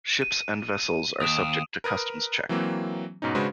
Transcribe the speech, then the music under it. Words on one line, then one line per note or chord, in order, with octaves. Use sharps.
Ships and vessels are subject to customs check.
D#7
D#2 D#6 D7 E7
A#4 B4 A#5 D#6
E3 F#3 A#3 C4
G#2 B2 C#4 D#4
C#3 G#3 D4 F#4 B4 C5